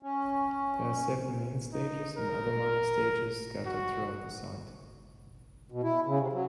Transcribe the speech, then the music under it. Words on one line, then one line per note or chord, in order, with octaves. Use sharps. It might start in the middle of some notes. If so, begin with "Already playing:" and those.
There are seven main stages and other minor stages scattered throughout the site.
C#4
D#4
A#4
F#4
B2
E4
C#3
C3
F#3